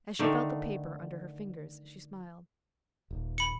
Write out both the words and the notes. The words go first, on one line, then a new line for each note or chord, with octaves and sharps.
As she felt the paper under her fingers she smiled.
D3 D#3 A3
D#1
B5 C#7